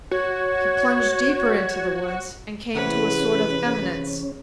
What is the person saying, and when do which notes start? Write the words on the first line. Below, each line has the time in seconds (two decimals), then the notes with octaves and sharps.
He plunged deeper into the woods and came to a sort of eminence.
0.11 F#4 C#5
2.75 C3 E3 C#4 G#4 B4 F#5